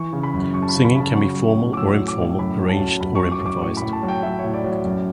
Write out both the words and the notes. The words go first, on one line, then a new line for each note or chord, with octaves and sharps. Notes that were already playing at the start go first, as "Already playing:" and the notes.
Singing can be formal or informal, arranged or improvised.
Already playing: E3 C#6
C#3
B5
F#2
F#2 C#6
A5
B5
C#3
B5
C#3 A5
F#3 C#6
F#3
A2
D6
F#3 E6
A2
D6
A2
F#2 B5
F#3
A5
F#2
F#2 B5
C#6
F#2
D6
F#2
D6
A2 C#6
A2 B5
A5
F#3
G5
F#3 E5
C#5
A2
D5
F#3
D5
F#2